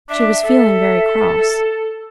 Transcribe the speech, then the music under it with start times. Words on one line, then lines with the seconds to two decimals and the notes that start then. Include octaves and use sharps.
She was feeling very cross.
0.09 D4 E5
0.44 A4